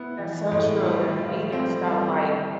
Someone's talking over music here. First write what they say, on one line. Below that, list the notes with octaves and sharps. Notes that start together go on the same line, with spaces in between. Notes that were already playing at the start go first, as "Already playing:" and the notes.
That's so true, they're making stuff like
Already playing: B3 E4
E3
A2
G3
F4
C4
G3